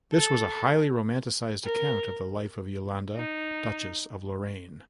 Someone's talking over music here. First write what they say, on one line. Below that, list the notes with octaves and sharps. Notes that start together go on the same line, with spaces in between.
This was a highly romanticised account of the life of Yolande, Duchess of Lorraine.
A4
A#4
D#4